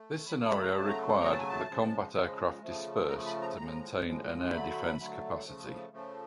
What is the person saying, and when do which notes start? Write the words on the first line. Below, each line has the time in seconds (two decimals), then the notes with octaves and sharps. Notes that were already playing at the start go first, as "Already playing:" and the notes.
This scenario required that combat aircraft disperse to maintain an air defence capacity.
Already playing: A3
0.26 C#3 F#3 A3 B5
0.49 B5
0.63 A#5
0.73 C#3 F#3 A3 A5
0.89 A#5
1.20 C#3 F#3 A3 A#5
1.30 A5
1.39 G#5
1.48 A5
1.68 C#3 F3 G#3
2.16 C#3 F3 G#3
2.62 C#3 F3 A3
3.09 C#3 A#5
3.12 F3 A3
3.26 B5
3.42 A#5
3.56 A2 F3 G#3 A#5
4.04 A2 F3 G#3
4.51 D3 F#3 A3 B5
4.98 D3 F#3 A3
5.45 C#3 F3 A3
5.93 C#3 F3 A3